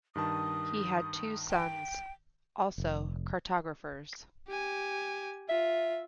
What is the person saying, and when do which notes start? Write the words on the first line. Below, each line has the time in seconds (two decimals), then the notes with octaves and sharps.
He had two sons, also cartographers.
0.15 G2 D#3 A5 D#6
1.50 G5
2.78 F1
4.48 G4 G#5
5.49 F4 E5